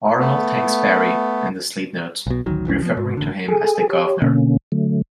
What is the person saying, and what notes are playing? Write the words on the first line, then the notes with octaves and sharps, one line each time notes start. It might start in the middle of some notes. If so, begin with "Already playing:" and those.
Arnold thanks Barry in the sleeve notes, referring to him as "the Guvnor".
A3 B3
B1 B2
A1 D2 D#3 F#3
F1 C2 E3 C#4
F3 B3
G#2
A1 D3
G#4 A4 G#5
G4 C#5
B2 D3 A#3 C#4
D3 F#3 A3